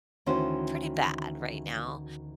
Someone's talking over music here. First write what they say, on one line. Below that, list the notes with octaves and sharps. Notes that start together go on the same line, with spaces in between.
pretty bad right now.
D2 D#3 E3 C#4 F#4 C5